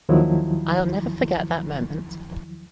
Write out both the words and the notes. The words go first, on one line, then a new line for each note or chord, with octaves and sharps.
I’ll never forget that moment.
D#2 D#3 F3 F#3 E4